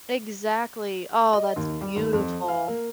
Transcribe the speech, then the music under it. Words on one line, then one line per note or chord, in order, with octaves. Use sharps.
Exactly. Oh, that's beautiful.
D#5
D#2
G3
D#2
F2
F5
A#3